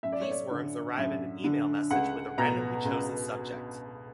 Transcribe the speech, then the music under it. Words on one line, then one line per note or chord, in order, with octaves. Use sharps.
These worms arrive in an email message with a randomly chosen subject.
F#2 E5
D5
C#5
D5
D3
F#2 E5
D3
C#2 F#5
B2 A#5
C#2